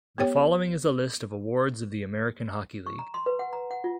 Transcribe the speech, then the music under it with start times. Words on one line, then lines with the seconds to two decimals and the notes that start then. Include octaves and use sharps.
The following is a list of awards of the American Hockey League.
0.18 B3 G4 C#5 G5
2.86 C#6
2.99 A#5
3.14 C6
3.26 B4
3.39 F#5
3.53 A#5
3.71 F#5
3.84 F4